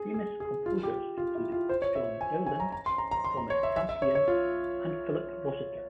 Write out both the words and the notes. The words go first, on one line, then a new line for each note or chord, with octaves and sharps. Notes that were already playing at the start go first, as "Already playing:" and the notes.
Famous composers included John Dowland, Thomas Campion and Philip Rosseter.
Already playing: G#4
G#4
G#4
F4
G4
F4
E4
F4
C5
C#5
E5
G#5
G#5
A#5
A#5
C6
A#5
A#5
C6
A#5
C#5
E5
E5
E5
C#5
C#5
F4